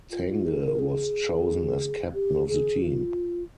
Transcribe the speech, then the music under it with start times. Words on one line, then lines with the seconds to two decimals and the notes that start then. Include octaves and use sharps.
Tange was chosen as captain of the team.
0.11 F4
0.28 F4
0.45 G#4
0.62 A#4
0.79 G#4
2.14 G4
2.48 G#4
2.82 F4